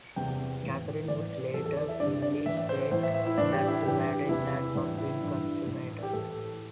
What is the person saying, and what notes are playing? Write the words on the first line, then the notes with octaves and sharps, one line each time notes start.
Catherine would later firmly state that the marriage had not been consummated.
E2 C3 E3 G5
A2 E3
A2 E3 D5
E2 E3 A4
A4
D5
E5
G2 D3 D5
D5
A2 E3 E5
E5
C5
C5
A2 E3 C5
E5
E5
E4
A2 E3 D4
G4
E4
G2 E3 G4
G4
E2 C3 E3 E4
A2 E3 D4
E4
G2 E3
A2 E3
G4
A2 E3 A4